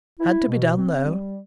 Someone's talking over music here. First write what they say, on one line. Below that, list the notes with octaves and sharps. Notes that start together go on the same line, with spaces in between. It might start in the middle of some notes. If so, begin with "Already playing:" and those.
Had to be done, though.
E4
B2
C4
G3